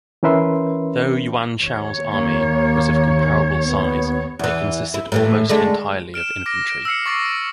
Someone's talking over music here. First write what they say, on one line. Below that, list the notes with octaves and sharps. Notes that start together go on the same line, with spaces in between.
Though Yuan Shao's army was of comparable size, it consisted almost entirely of infantry.
E3 C#4 A#4 B4 E5 C6
D#2 C#5
A#3
B3
E2 E3
E4
A2 E3 A3
D3 G#3 A3
F6 D7 E7
D6 F6 A#6 D7
D7
E6 F6 C7 C#7
C#6 D6 A6 A#6 C7 D7
D7